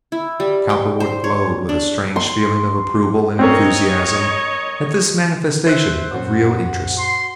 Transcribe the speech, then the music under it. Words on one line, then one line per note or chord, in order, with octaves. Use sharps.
Cowperwood glowed with a strange feeling of approval and enthusiasm at this manifestation of real interest.
E4
G3
G5
C5
C#5
D4
C6
C4 C#4 A#4 C#5 D#5
C5 E5 F#6
F#2 A#2 C#4 F#4
C6